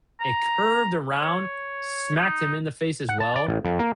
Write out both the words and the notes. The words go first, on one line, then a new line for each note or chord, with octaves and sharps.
it curved around, smacked him in the face as well,
A#5
C#5
D#4
F#5
A5
D5
A1
F2
A#3